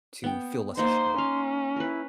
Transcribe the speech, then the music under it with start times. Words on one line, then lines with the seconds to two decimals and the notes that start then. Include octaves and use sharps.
to feel less ashamed?
0.24 B3 G5
0.77 A#3 D#4 C5 C6
1.18 C#4 F5
1.76 E4 A#4 B4